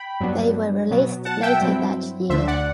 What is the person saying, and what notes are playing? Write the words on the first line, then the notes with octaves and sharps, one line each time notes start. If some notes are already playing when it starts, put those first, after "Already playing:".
They were released later that year.
Already playing: G5 B5
G2 F#3 B3 D4
B2 F#3 B3
F#5 A5
E5 G5
G2 F#3 C4 E4
D2 D3 A3 D4 C5 E5
D5 F#5